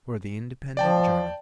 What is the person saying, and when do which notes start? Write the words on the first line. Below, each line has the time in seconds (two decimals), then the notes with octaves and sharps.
For the Independent Journal.
0.77 F3 D5 G5 A5